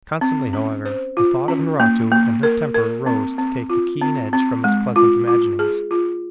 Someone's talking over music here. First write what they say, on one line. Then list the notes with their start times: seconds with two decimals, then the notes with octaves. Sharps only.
Constantly, however, the thought of Naratu and her temper arose to take the keen edge from his pleasant imaginings.
0.21 C4
0.53 C#4
0.85 C5
1.17 F4
1.48 C#4
1.80 A#3
2.12 A#3
2.43 A#4
2.75 A#4
3.06 C4
3.38 C4
3.70 F4
4.01 C4
4.33 C4
4.64 G#3
4.96 F4
5.28 F4
5.59 G#4
5.91 F4